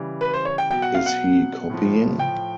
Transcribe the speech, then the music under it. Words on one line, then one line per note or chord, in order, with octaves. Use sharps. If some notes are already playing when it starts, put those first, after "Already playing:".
Is he copying?
Already playing: C#3 E3 G3
B4
C5
C#5
G5
B2 F#3 G5
F#5
F5
F#5
A2 F3
G5